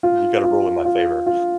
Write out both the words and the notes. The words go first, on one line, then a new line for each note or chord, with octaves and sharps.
you gotta rule in my favor."
F4
F4
F4
F4